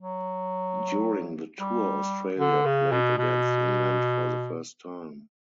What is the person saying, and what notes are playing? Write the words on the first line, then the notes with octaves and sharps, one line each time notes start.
During the tour Australia played against England for the first time.
F#3
G3
D3
C#3
B2
B2